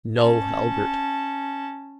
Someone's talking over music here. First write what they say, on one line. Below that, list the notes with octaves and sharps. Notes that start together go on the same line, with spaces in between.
No, Halbert!
C#4 A5